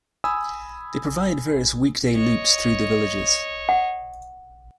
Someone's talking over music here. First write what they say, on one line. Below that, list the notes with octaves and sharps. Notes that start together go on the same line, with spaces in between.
They provide various weekday loops through the Villages.
G#5 B5 D#6 E6
C#5 D#5
F#5